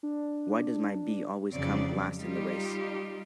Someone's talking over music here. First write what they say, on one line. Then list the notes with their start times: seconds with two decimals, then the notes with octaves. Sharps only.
Why does my bee always come last in the race?
0.03 D4
1.53 F2 C#3 F#3 C4 D5
2.18 G3 D#4 F4 G4